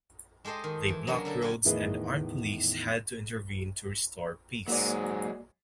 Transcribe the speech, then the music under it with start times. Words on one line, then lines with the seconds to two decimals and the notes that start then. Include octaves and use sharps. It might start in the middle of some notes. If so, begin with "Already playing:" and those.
They blocked roads and armed police had to intervene to restore peace.
0.45 G#3 G4 A4 C5 D#5
0.64 D#3
0.89 E3
1.07 F#3 A#3 B3 C#4 D4
1.25 D3 A#3 A4
1.41 C#4 F#4 G4 B4 G5 G#5
1.65 E2 A2 D#3 G#4 B4 D#5
4.68 G#2 F#3 G#3 A#3 F#4 D5